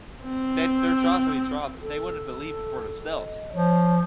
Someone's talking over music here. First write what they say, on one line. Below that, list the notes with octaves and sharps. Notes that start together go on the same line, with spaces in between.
that their jaws will be dropped, uh, they wouldn't believe it for themselves.
C4
A4
D#5
F3 C#5